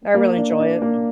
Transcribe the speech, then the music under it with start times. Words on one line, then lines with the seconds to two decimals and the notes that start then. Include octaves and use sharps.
I really enjoy it.
0.15 A#3
0.37 D4
0.60 D4
0.82 A#3